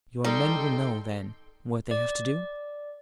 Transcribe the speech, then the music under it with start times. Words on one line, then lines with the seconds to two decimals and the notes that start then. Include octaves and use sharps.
"Your men will know, then, what they have to do?"
0.24 G3 D#4 A4 G5 C6
1.91 D5